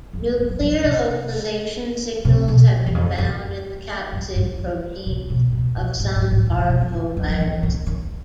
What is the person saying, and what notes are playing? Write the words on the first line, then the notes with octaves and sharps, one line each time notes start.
Nuclear localization signals have been found in the capsid proteins of some parvoviruses.
F3
F#3
F3
F#3
F3
C3
C3
B2
E2
F2
F#2
G2
G2
C#3
C3
B2
B2
A#2
G#2
A2
G#2
A#2
B2
C3
E3
D#3
D#3
F3
E3
D#3
D#3